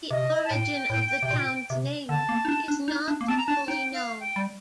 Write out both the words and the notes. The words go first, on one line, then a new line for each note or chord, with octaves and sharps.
The origin of the town's name is not fully known.
C3 D#5
A5
A2 G5
A2
C3
A#2
C3
D3 A5
A#3
D#4
D4
D4
D#4
D4
A#3
C4 A5
A#5
D4 A5
D#4 G5
F5
G5
G3